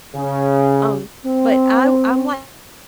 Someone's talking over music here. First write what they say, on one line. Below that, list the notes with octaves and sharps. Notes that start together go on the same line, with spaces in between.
Um, but I I'm like
C#3
C4